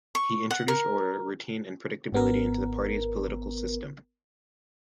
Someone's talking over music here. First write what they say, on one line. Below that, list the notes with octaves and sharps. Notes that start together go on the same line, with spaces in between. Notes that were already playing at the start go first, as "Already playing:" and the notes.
He introduced order, routine and predictability into the party's political system.
C#6
F#5
A#4
G#1 B3 A#4